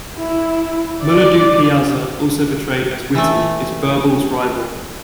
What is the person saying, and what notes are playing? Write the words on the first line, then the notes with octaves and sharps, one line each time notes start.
Mulla Do-Piyaza, also portrayed as witty, is Birbal's rival.
E4
D5
E3 A3